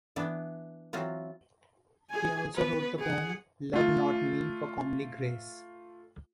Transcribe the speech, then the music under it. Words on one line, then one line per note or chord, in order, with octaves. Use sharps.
He also wrote the poem, Love not me for comely grace.
E3 B3 D4
E3 F#3 C4 F4
G#4 G#5
B3 B4
G#4 F#5
A3 F4